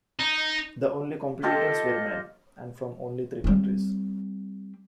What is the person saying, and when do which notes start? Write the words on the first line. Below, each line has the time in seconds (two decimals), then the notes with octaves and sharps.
The only competitors were men, and from only three countries.
0.19 D#4
1.43 F4 G4 A4 D#5
3.44 G3 C4